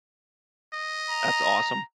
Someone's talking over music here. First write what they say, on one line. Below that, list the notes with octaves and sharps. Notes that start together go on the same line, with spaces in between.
That's awesome.
D#5
A#5